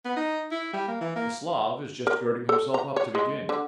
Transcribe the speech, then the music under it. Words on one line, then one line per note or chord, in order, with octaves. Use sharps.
The Slav is just girding himself up to begin.
B3
D#4
E4
G3
A#3
E3
A#3
A#4
A4
A#5
C#5
G#3
D3